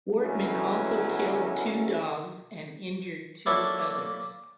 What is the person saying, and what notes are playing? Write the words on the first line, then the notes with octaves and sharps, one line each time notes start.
Wortman also killed two dogs and injured two others.
C#2 D3 F#3 B3 C#4 E4
F#3 A#3 D4 E4 A4